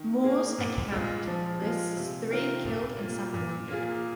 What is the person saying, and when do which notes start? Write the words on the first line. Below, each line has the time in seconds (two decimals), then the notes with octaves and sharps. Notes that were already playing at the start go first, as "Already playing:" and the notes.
Moore's account lists three killed and some wounded.
Already playing: D#3
0.24 A#3 G#4
0.58 A#2
0.92 G#3 F4
1.28 F3
1.62 G#3 F4
1.97 C3
2.31 D#3 C4 F4 A#4
2.66 A#2
3.00 A#3 F4
3.34 A#2
3.68 A#3 F4 G#4